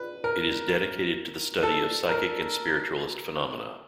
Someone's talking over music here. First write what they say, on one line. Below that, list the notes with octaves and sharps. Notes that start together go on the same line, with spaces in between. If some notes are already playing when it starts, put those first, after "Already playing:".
It is dedicated to the study of psychic and spiritualist phenomena.
Already playing: B4
A#4
A4
A#4